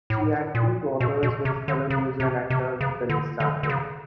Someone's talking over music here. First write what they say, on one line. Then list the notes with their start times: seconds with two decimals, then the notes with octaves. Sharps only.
She had two daughters with fellow New Zealand actor Bill Stalker.
0.10 A2
0.55 A#2
1.00 B2
1.23 B2
1.45 C3
1.68 D3
1.90 C#3
2.20 C3
2.50 C3
2.81 C#3
3.10 D3
3.40 D3
3.63 D3
3.70 C#3